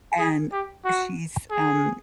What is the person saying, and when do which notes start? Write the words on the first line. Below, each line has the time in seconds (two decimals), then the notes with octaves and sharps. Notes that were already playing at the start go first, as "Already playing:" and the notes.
and she's, um,
0.19 G#4
0.52 G4
0.85 F#4
1.51 G#4